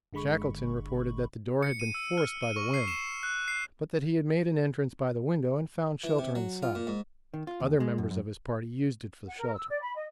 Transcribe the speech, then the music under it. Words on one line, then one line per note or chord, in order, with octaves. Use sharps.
Shackleton reported that the door had been forced by the wind, but that he had made an entrance by the window and found shelter inside--other members of his party used it for shelter.
G1 D3 G#3 B5 C#6
C#7
D#7
E6
F6
D#7
C#6
C7
E7
F#6
C7
E3
C3
F#3
F4
A#2
G#2
D#3
F4
D#2
G#3
F#2
F#2
F#5
A#4
E6
D5
B5
D#5